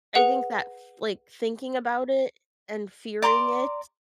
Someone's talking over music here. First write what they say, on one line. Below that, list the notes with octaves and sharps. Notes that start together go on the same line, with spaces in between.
I think that, f like, thinking about it, and fearing it,
G#4 B4 F#5
D5 A#5 C6 D6